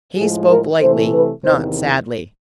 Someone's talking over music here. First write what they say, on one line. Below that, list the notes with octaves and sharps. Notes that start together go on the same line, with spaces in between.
He spoke lightly, not sadly.
A2 F3 G#3 G#4
A#4
C3 E3 A3 C5
B4
E2 C3 D#3 C5